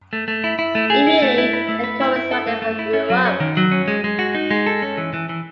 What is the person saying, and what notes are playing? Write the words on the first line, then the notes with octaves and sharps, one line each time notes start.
Immediately, a cult surrounding her grew up.
A3
A3
E4
E4
A3
G#4
E4
A3
E4
B4
A3
B4
E4
E4
A4
A3
A3
E4
C#4
F#3
C#4
D#3
F#3
C#4
G#3
G#3
F#4
D#4
G#3
A4
C#4
E3
E3
E3